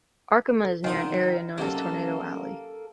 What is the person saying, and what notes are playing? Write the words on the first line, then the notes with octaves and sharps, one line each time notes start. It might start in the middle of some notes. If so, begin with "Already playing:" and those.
Arkoma is near an area known as Tornado Alley.
A4
D#3 F3 C4 D#4 F#5 D#6
C3 D#3 F#3 A#3 C#4 A4